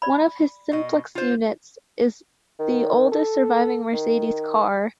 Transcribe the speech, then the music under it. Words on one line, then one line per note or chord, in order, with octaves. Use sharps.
One of his "Simplex" units is the oldest surviving "Mercedes" car.
D5 B5
B2 D#5
F4 C5
D#3
A4
D#3